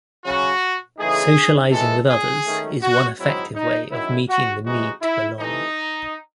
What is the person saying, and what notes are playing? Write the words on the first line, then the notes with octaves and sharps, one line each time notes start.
Socializing with others is one effective way of meeting the need to belong.
C#3 F#3 C#4 F#4
C#3 E3 A3 D#4 G#4
A2 E3 G#3 A4
G#4
D#3 A3 C#4
F#4
G#2 F#3 C4 D#4 E4
D#4
F#2 D#3 F#3 E4
F#4
C3 E3 G#3 D#4 F#4
E4
C3 E3 A3 D#4